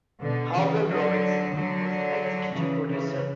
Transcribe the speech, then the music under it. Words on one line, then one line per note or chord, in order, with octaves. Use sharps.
Hubbell Robinson was the executive producer.
B2 D3
C#3 E3
D3 F#3
D3 F#3
C#3 E3
C#3 E3